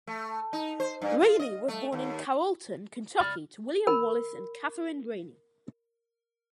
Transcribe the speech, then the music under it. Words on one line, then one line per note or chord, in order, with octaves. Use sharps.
Raney was born in Carrollton, Kentucky, to William Wallace and Katherine Raney.
A3
D#4
C5
G2
F4
D#5
A3
D#2
C#2 D5 B5 F6
A#4 B5